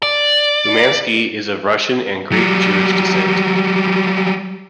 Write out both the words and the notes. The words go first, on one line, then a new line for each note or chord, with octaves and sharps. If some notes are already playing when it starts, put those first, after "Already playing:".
Umansky is of Russian and Greek Jewish descent.
D5
F#3 G3